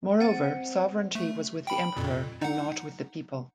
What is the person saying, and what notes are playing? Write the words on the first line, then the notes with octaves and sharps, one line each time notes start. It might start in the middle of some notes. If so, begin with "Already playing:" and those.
Moreover, sovereignty was with the Emperor and not with the people.
C4 F#5 A6 D#7
A3
G5 B5
F2 A#2
D#4 F#5